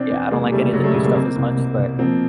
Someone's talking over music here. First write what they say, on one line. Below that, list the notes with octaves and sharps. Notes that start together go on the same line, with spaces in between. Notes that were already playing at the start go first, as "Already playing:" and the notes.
Yeah, I don't like any of the new stuff as much, but,
Already playing: B2 E3 C4 D4
E2
C3 G#3 A#3
F#1 G3 A3
G3
C#3 F#3 G#3
G3 A3
E1 F#3 G#3
G#3 A#3
B2 A#3 C4
C2
B2
B2
F3 A#3 C4